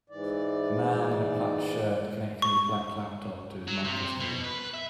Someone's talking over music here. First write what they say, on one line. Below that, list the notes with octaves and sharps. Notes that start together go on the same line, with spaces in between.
A man in a plaid shirt connecting his black laptop to his microscope.
G#2 E3 D5
C#6
F#3
C3
B2
B4
E5